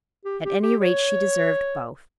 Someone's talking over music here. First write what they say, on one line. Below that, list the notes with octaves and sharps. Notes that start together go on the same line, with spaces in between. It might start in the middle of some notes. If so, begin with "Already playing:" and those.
At any rate she deserved both.
G4
G4
G4
C#5